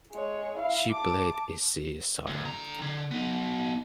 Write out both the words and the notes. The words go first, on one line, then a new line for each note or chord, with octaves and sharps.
She played a Sea Siren.
G#3 C#5
E4 F5
A5 D6
D2
D3 A#5
D3
B3 D#4